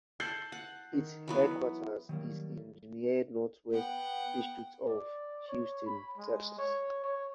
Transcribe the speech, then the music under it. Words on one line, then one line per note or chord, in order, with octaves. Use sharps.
Its headquarters is in the Near Northwest district of Houston, Texas.
A4 G6 C7 F#7
F#5
D#3
E3 F#3 B3
D#3 F#3 G3 A#3
B3 F#5 G5
D5
C#5
B5
G#3
C#5
C#5